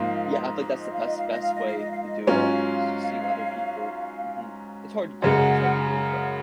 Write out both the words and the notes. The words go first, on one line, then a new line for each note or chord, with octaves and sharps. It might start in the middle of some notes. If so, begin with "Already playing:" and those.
Yeah, I think that's the best, best way to do it, s seeing other people. Mhm. It's hard to do, it's hard to do, but
Already playing: G#2 F3 A#3 D#4 F5
D#5
F5
D#5
F5
D#5
F5
D#5
F5
D#5
F5
D#5
G#2 F#3 C#4 F4 F5
D#5
F5
F#2 C#3 G#3 F#5
F#5